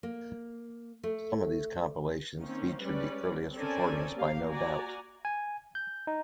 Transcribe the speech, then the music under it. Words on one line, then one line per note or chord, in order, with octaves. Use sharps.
Some of these compilations featured the earliest recordings by No Doubt.
A#3
A3
D#3 A#3 C4 C#4
G3 G#3 C#4 B4 D5
C4 C#4 A4 A#4 D5 G#5
A#3 G4 F5
F#4 D5 G#5 A#5
G#5
G6
D#4